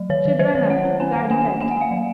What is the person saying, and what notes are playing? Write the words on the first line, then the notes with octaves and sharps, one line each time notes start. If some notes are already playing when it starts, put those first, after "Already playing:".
She had rung up without effect.
Already playing: F#3
D#3 C#5
D#3
D#3 C5
D#3 C#5
C#4 F#5
C#4
C#4 G#5
D#3
A#3 G#5
A#3
A#3 G#5
F#5
A#3 F5
F#3